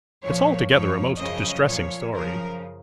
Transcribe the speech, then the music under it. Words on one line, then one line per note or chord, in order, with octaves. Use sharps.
It's altogether a most distressing story.
A#2 F3 C#5
F2 F3 C#5
F#2 C#3 F3 D#5
A#2 F3 C#5
F#2 C#3 F3 A#4